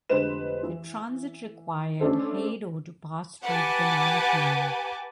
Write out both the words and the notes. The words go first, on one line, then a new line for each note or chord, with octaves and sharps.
The transit required "Haddo" to pass through the Panama Canal.
F1 D3 G#3 B4 C5 E7
E3
A3 C#4 D4 A4 C5
G4 B4 F#5 G#5 A5 D6